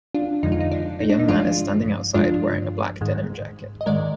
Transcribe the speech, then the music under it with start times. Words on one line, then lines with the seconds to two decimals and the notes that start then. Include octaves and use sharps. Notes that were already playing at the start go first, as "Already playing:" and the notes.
A young man is standing outside wearing a black denim jacket.
0.15 D4 F4
0.43 F2 D3 F3 G#3 D#4
0.52 F4
0.60 D#4
0.72 D4
1.00 D#4
1.10 D4
1.19 D#4
1.28 G2 F3 G#3 D4 F4
2.14 G2 F3 G#3 D4 F4
3.01 G#2 D#3 G#3
3.81 D#5
3.86 G#2 D#3 G#3 A#4 D5